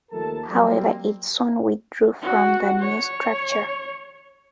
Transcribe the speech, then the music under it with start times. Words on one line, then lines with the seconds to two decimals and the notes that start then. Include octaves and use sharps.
However it soon withdrew from the new structure.
0.12 D#2 F3 A3 A4 A#4 A5
0.50 F#3 G3 A#3 C4
2.22 F#4
2.80 C#5